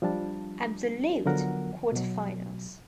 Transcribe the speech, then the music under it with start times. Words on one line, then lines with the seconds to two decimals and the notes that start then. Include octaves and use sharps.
Absolute: Quarter finals.
0.02 F3 G3 D4 A5
1.26 D3 F3 F#3 B3 A#4 F#5
1.92 B2 F#3